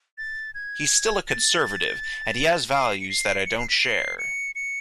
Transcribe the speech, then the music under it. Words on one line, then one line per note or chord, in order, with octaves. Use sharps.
He's still a Conservative and he has values that I don't share.
A6
G#6
A6
C7
C#7
C7
C#7
C7
B6
C7
C#7
C#7